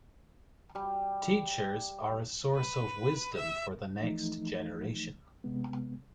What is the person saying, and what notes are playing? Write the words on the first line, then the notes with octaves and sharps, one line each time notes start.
Teachers are a source of wisdom for the next generation.
G3
B4
E5
E3 F3 A3 D#4
C3 G#3 B3